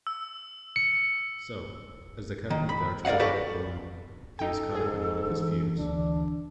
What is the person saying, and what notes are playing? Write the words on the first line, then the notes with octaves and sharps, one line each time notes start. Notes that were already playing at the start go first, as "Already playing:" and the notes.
So, as the captain of the Archbishop of Cologne, he is caught up in one of his feuds.
E6
C#7
D#3
B5
A#4 D5 D#5 F5 F#5
F#4 G4 A4 B4 D5
D#4 A4 G5
G#2 G#4
E3 D4
D2 E3 D4